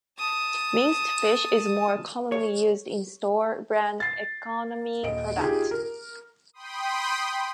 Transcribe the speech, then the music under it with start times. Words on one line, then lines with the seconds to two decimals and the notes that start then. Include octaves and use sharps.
Minced fish is more commonly used in store brand economy products.
0.18 A5 D#6
2.32 C#5
4.00 A6 C7
5.03 D#1 D#5 D7
5.37 D#4 F4 G4 G#4
5.71 A#4
6.53 G5 B5 C6 D#6